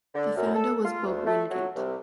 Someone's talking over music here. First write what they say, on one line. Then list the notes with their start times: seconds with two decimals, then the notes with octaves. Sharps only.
The founder was Bob Wingate.
0.14 D3
0.36 F#2
0.54 A4
0.84 F4
1.06 D2
1.26 A3
1.50 F#3
1.75 C2